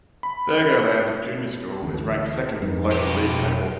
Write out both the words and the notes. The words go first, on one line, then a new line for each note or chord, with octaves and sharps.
Thurgoland Junior School is ranked second in the local league table.
B5
D2 E3
F2 D#4 A#4 B4
B2 F4 G4 A#4 B4